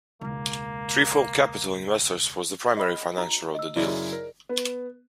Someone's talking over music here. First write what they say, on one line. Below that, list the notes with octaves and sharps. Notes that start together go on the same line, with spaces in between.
Trefoil Capital Investors was the primary financier of the deal.
E1 C#2 A#3
D#5 B5
D#4 F#4 A#5
D#5 E6
F#2 C#3 D#4 E4 G#4 D5
A#4
B3